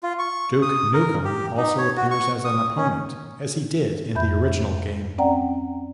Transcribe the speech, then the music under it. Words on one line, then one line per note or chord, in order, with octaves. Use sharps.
Duke Nukem also appears as an opponent, as he did in the original game.
F4
C#6
D#6
A#4
G4
D#4
C#5
F#4
C#6
D#6
C#4
F2 E5 B5 G6
C4 C#4 D5 F#5 G5 A#5